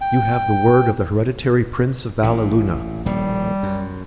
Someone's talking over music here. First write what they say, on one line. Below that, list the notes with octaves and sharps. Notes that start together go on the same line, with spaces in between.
You have the word of the hereditary Prince of Valleluna.
G5
A1 A#2
D#1 A#1 A2 G3
F#2